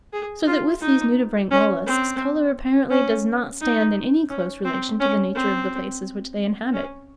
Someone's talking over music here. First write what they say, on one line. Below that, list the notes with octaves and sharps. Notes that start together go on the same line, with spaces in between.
So that with these nudibranch molluscs, colour apparently does not stand in any close relation to the nature of the places which they inhabit.
G#4
F4
D#4
C#4
C4
C#4
D#4
C#4
C4
C#4
C4
C#4